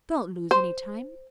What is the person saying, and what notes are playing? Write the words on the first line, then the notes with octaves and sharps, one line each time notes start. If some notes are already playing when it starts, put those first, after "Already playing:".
Don't lose any time.
C5